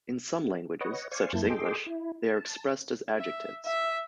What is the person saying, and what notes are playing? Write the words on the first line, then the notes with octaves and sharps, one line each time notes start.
In some languages, such as English, they are expressed as adjectives.
B4 C#5 D#5 F#5
C5 D5 F5 G#5 C#6
F#2 A#3 E4 A5 G6 G#6
G#4 A4 D#5 G5 C6 D6
E4
A5
E5
E5